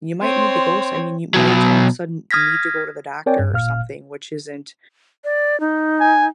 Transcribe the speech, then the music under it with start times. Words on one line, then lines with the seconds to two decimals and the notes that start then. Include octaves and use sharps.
you might need to go s I mean, you might all of a sudden need to go to the doctor or something, which isn't,
0.21 C4 C#5 C6
1.34 B2 F#3
2.31 D#6 F6 G#6 A#6 B6
3.26 C4 A#4 C#5 D5 G5 G#5
3.39 G2
3.52 G1 A#2 F5 F6
5.24 D5
5.60 D#4
6.00 G#5